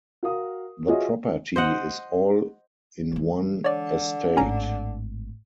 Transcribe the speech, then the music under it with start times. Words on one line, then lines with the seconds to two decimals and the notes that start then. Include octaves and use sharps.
The property is all in one estate.
0.23 F#4 A#4 F5 D#6
0.88 F4 F#4 G#4 C#5 D#5 E5
1.56 C5 D#5 F#5
3.12 E3 G#3
3.64 D3 C#5 D5
4.37 G#1 A2 C#4 G#5 A#5